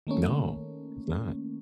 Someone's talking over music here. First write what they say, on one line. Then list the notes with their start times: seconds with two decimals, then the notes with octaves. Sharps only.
No, it's not.
0.07 D#3 A3 A#3 C#4